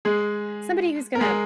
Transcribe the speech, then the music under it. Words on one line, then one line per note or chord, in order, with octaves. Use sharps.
somebody who's gonna
G#3 G#4
A#4
G#3 G#4